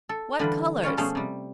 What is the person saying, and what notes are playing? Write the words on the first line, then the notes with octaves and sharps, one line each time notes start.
What colours!
A4
D3 E3 G3 F4 B4
G3 C#4 F4 C#5
B2 F3 A3 C#4 G#4 C5
C3 G3